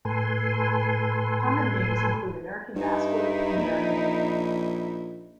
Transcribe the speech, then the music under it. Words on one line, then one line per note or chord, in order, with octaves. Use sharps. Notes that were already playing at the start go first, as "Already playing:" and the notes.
Common names include American basswood and American linden.
A2 A4 B4 G#5 C6
G2 D#4 E4
A#1